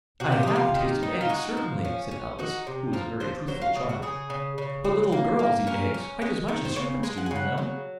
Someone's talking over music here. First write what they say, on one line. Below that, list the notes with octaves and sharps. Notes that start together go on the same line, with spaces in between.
'I HAVE tasted eggs, certainly,' said Alice, who was a very truthful child; 'but little girls eat eggs quite as much as serpents do, you know.'
C3 F#4
F4
C3 D#4
F4
D#3
D#4
F4
G#3 F#4
F3
C#4
C#4
D#4 F#4
C3
F3 A#4
F3 C5
F#3 C5
F4
C#3 G#4
F#4
C#3 G#4
C#3
C#3
C#3
A#3
A#3
C#4 A#4
C#4
G#3
D#3
C5
C#3 C#5
G#3 G#5
F#5
G#5
C#3 F#5
F#3